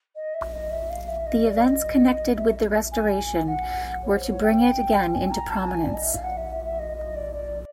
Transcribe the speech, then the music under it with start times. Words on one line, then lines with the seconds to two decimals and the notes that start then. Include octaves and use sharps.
The events connected with the restoration were to bring it again into prominence.
0.15 D#5
0.34 E5
0.53 D#5
0.71 E5
0.90 F5
1.08 E5
1.26 D#5
1.45 D5
1.63 D#5
2.36 E5
2.92 G#5
3.47 F#5
4.03 C#5
4.16 C5
4.30 C#5
4.44 G5
5.13 G#5
5.31 A#5
5.50 A5
5.68 G#5
5.84 D5
5.94 D#5
6.03 E5
6.13 F5
6.23 F#5
6.37 E5
6.51 E5
6.64 E5
6.79 D#5
6.97 D#5
7.15 D5
7.33 D5